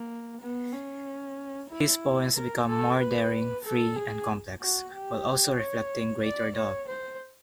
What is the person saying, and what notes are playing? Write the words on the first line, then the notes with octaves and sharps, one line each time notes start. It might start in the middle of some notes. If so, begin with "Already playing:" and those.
His poems become more daring, free, and complex, while also reflecting greater doubt.
Already playing: A#3
B3
C#4
E4
A#4
A4
B4
A4
G#4
F#4
G4
C#5
D5
C#5
C5